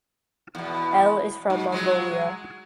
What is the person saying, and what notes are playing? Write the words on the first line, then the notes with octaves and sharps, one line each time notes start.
Elle is from Mongolia.
E2 B2
G#2
F#3 G#3